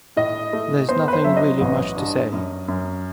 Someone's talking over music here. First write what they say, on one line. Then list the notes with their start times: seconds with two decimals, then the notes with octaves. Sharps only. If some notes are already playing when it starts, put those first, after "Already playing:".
There's nothing really much to say.
0.17 A2 D#5
0.53 A3
0.89 B3 C5
1.08 B4
1.13 C5
1.24 F#3 E5
1.37 D#5
1.61 A1
1.96 G2
2.32 F#2
2.68 F#2